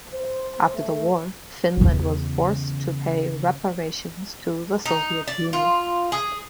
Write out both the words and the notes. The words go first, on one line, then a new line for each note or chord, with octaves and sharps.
After the war, Finland was forced to pay reparations to the Soviet Union.
C5
A3
E2 C#3
D#4
D5
F4
G#4